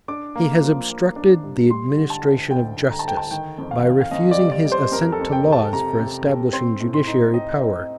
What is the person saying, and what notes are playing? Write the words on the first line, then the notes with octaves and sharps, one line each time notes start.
He has obstructed the Administration of Justice, by refusing his Assent to Laws for establishing Judiciary Powers.
D4 D6
A#3
F3
A#3
D4
G2
G3 C6
D3
A5
D2
D2 G5
D2
A#5
A5
D2 G5
A5
D#3 G5
F2
F5
D#3
F5
F2 D#5
D5
G3
D5
G3
C5
F2 A#4
A4
F2
G5
C3
A5
C3 A#5
C3
C3
C4 C6
A2
C6
D#4
C4 D#5
C4